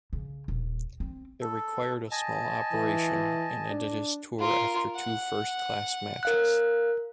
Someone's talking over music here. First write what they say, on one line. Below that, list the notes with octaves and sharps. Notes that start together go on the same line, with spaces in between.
It required a small operation and ended his tour after two first class matches.
C#3
D#1
C4
A4
D#5 G#5 A5
E3
D4
F4 A#4
F#5
A#4 F5 F#6